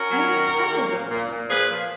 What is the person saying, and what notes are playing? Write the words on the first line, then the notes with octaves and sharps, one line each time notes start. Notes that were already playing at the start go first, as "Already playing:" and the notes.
I was puzzled at the time.
Already playing: C#4 F#4 A#4
F#3
D#3
D#3
A#3
A#2
A#2
A#2
F3 G#4 B4
F3